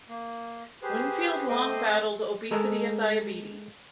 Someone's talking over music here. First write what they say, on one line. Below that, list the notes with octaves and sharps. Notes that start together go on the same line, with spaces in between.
Winfield long battled obesity and diabetes.
A#3
G4 G#4 B4 C5
A3 C4 C5 D#5 C6 D6
G#3 A4 A#4 D#5